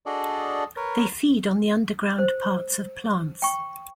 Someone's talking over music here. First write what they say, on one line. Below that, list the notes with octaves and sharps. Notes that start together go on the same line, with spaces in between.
They feed on the underground parts of plants.
D4 F#4 G#4 A4 D5 D#5
A#4 B4 C#5
C5
G5 C#6